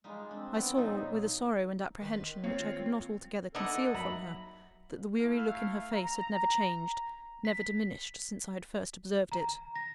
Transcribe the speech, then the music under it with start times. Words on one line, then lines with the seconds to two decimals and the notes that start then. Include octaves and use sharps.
I saw, with a sorrow and apprehension which I could not altogether conceal from her, that the weary look in her face had never changed, never diminished since I had first observed it.
0.04 G3 G#3 D#4 F4
0.31 C4 D4
0.55 B3 C#5 D5
0.77 A#2 F#3 D#4 F4
2.01 D#3 B4 C6
2.44 A#3 C4 F4 C#5
3.55 D3 A#3 B3 D#4 A4 D#5 F#5
3.94 F#3 D#4 E5 A#5 B5
5.19 A3 E4 F5
5.92 A#5
7.45 B6
9.32 A#5
9.76 A#6